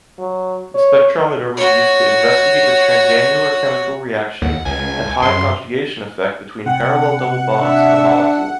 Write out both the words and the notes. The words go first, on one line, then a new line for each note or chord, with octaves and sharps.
The spectrometer was used to investigate the transannular chemical reaction and high conjugation effect between parallel double bonds in the molecule.
F#3
C#5
F#4 C#5
D#2 F#5
C#2 G#5
F#2 C6
C3 F#5 G5
D4 E5